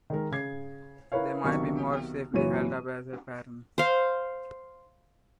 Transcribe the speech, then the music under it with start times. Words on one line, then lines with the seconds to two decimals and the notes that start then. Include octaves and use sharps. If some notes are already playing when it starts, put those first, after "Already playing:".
They might be more safely held up as a pattern.
0.10 D#3 G#3 A#4
0.31 C#3 G#6 C7
1.12 E4 A#4 B4 C#5 F5
1.44 B1 C3 D#3 C#6
2.33 F#1 A#2 E3 F#3 C#5 D#7
3.78 C5 F5